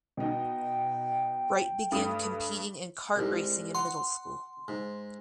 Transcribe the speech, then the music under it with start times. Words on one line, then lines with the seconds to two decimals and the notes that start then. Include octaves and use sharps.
Wright began competing in kart racing in middle school.
0.17 B2 D#4 G5
1.92 G2 A3 D#6
3.16 C2 G#2
3.75 F#5 C6
4.68 G#2